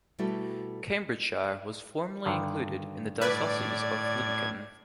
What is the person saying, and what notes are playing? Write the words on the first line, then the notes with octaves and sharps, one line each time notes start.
Cambridgeshire was formerly included in the diocese of Lincoln.
B2 G3 A3 E4 F#4 A4
G2 D3 D#3
A2 B4 D5 G#6